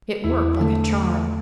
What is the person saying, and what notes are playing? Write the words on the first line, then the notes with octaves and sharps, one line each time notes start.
It worked like a charm.
E2 E4
D3 G#3 A3
E2